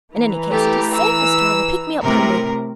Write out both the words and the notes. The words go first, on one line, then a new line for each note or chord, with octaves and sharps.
In any case, it is safest to have a pick-me-up handy.'
E3 B4 A#5
A3 G4
E6
A2 C3 A#4